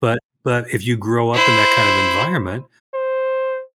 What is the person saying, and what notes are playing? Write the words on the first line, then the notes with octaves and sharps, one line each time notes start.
but but if you grow up in that kind of environment,
E4 C5
C5